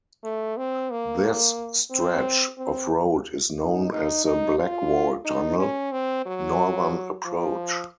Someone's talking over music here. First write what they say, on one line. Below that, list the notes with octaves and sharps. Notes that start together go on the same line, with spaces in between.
This stretch of road is known as the Blackwall Tunnel Northern Approach.
A3
C4
A#3
C4
C4
D#4
D#4
D#4
F4
D#4
C#4
C4
F#3
F3